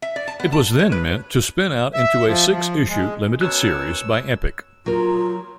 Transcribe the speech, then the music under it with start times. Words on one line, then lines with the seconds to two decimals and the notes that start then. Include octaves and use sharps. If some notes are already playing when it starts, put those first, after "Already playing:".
It was then meant to spin out into a six-issue limited series by Epic.
0.02 E5
0.16 D5
0.28 A5
0.40 B3
0.52 A5
0.79 C#5
0.92 B4
1.94 E5
2.28 F3
2.51 F3
2.89 G#3
3.41 F#2 B2 C#5 E6 F#6
4.86 F#3 F4 A#4